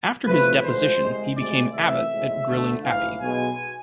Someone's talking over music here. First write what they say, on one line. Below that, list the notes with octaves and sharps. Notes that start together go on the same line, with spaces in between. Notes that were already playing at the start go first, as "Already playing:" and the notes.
After his deposition, he became abbot at Gilling Abbey.
E2 C3 F3 A3 B4
D2 D3 F3 G#3 C5
C2 C3 G#3
D2 C3 G#3 D5
C2 C3 E3 A3 E5
B1 A2 G#3
D2 D3 A3
A1 G#2 E3 F5
B1 B2 G#3 G#5